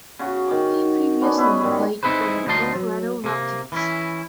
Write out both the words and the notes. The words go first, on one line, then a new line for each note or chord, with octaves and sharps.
He previously played for the Colorado Rockies.
C#3 F#4
D#3 D6
B3 C#4 D4
E4 B4 C#5 D#5
G#2 D#3 G3
C4 D#4 E4 G#4 B4 C5
D2 F#3 D#4 F4 A5 C6
F#3
C3 A#3
E3 C#4 E4